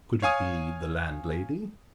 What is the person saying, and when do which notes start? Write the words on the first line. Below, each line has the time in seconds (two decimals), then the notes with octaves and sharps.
Could it be the landlady?
0.22 C#5 F5 G#5 D#6